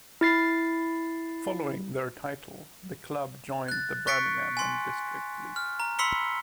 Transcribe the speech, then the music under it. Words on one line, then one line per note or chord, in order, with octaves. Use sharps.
Following their title, the club joined the Birmingham and District League.
E4 A6 C7
F#6 A6
C#6 F#6 A6 B6 C#7 D7
G#5 C6
F6
A#5
B5 C6 E6 B6 C#7 G7